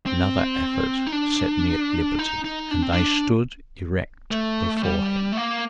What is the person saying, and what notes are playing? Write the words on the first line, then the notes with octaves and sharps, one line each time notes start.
Another effort set me at liberty, and I stood erect before him.
C4
D#4
D4
D#4
D#4
D4
C4
D4
A3
A3
G3
A3
A#3